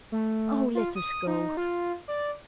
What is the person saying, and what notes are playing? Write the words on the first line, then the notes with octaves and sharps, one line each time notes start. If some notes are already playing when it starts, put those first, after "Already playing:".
'Oh! let us go.
A3
F4
D#6
D#4
F4
D5